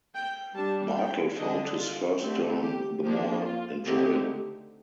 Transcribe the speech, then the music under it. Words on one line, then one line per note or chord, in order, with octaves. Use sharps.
Bartle found his first term the more enjoyable.
G5
G3 D4 A5
G5
D3 G3 D4 D#5
F4
D3 A3 C4 G4
G4
F3 A#3 D4 G4
F4
D3 A3 C4 D#4 G4